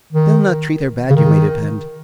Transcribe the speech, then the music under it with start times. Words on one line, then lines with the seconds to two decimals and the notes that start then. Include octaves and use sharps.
They'll not treat her bad, yer may depend.
0.13 D#3
1.10 C#3
1.16 D#3